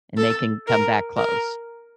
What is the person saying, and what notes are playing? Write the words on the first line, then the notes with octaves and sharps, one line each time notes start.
and they can come that close.
A4
A#4
A#4